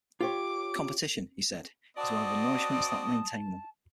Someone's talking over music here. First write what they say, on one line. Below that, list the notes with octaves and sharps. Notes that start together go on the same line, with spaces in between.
Competition, he said, is one of the nourishments that maintain them.
F4 G4 C#5 D6
C4 F#4 D5 D#5 A5 D#6